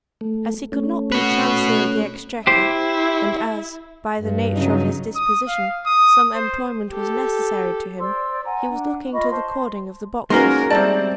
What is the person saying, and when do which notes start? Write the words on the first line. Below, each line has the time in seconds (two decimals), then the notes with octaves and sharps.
As he could not be Chancellor of the Exchequer, and as, by the nature of his disposition, some employment was necessary to him, he was looking to the cording of the boxes.
0.21 A3
0.72 A3 C#4
1.12 F#4 B4
2.47 E4 G4 C5
4.19 G2
4.54 C#3 F#3 D#4
5.16 D#6
5.48 F5
5.86 D#6
6.35 C5
6.90 G4 A4
8.00 C5 D5 C6 E6
8.45 F#5 G#5 A#5
8.69 D4 F#5
9.13 F4 D#5 B5 C#6
9.31 C5 A5 C6
10.30 G#3 A#3 C#4 D#4 F#4 A#4 B4 C6
10.70 G3 C4 C5 D5 E5 A5